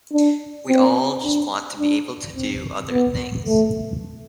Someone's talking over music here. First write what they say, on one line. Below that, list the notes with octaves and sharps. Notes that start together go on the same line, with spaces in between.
We all just want to be able to do other things.
D4
C4
D4
D4
C4
B3
A3